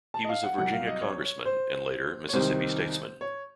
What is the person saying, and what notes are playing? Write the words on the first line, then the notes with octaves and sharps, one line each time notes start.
He was a Virginia congressman, and later Mississippi statesman.
A5
D#5
F5
F#5
C2 C3 F#3 F#5
F5
D#5
C#5
C#5
C5
C#5
C2 C3 D#3 C5
C#5